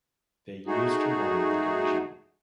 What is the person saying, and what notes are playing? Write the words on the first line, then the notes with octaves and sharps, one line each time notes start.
The used to run the division.
A3 D#4 F#4 G#4